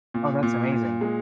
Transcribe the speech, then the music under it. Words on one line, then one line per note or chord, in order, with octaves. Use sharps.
Oh, that's amazing.
A#2
A#2
A#2
G#3